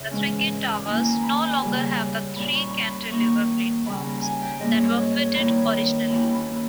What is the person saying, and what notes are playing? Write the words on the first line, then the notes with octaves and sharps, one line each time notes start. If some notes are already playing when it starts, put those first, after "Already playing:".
The Swingate towers no longer have the three cantilever platforms that were fitted originally.
Already playing: C#3 E5
G#2 E3 G#3 C#4
D#3 A#3 C#4 E4 G#5
A#5
B5
G#5
D#2 C#3 G3
A#2 G3 C#4 B5
C#6
B5
B5
D#3 A#3 D#4 C#6
D#2 C#3 G3 C#4 B5
A#5
G#5
G5
G#2 G3 A#3 E4 D#5
C#5
C#5
C#5
G2 D#3 A#3 E4 B5
D#2 D#3 A#3 C#4 E4 B5
B5